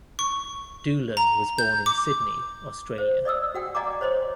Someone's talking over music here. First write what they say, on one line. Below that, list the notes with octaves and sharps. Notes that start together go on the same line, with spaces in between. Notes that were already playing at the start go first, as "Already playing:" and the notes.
Doolan was born in Sydney, Australia.
C#6
A#5
G6
D6
C5
D5 D#5 D#6 E6
F#4 F#5 G5
D5 D#5 F#5 G#5 A#5 D6
C5 C#5 D#5 C6